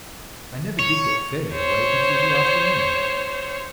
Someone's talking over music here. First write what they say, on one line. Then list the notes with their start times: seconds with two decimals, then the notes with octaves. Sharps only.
I never did get fairly awake until the afternoon.
0.79 C#5
1.53 C5 C#5